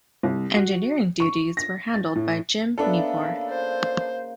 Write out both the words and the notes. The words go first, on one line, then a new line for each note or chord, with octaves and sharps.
Engineering duties were handled by Jim Nipor.
C2
F#4
C#6
A#6
A6
A2
C#3 A#3 B3 D4 A4 E5
C5